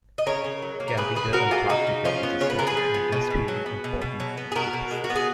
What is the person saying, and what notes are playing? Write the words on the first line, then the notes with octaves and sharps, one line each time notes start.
"Candida antarctica" is a source of industrially important lipases.
D#5
C#3 A#4 C#5
C#3
F#3
A#3
A#4
C#3 G#4 B4
C#3 G#4 B4
F#3 F#4 A#4
A#3 F4 G#4
C#3 D#4 F#4
C#3
F3 C#4 F4
B3
C#3 C#5
B4
C#3 A#4
G#4 B4
F3
B3
B2
B2
F#3
B3
B2
B2
F#3
B3
G#4
B2 F#4 A#4
B2
G#3
F#4
B3
G#4